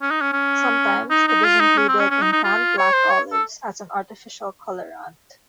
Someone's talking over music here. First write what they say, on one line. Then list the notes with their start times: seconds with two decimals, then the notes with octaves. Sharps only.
Sometimes, it is included in canned black olives as an artificial colorant.
0.02 C#4
0.11 D#4
0.22 C#4
0.33 C#4
1.10 D#4
1.28 D#4
1.44 F4
1.60 D#4
1.78 C#4
1.88 C4
2.00 C#4
2.11 C#4
2.22 D#4
2.33 D#4
2.44 F4
2.78 C#5
2.94 C5
3.10 C#5
3.32 A4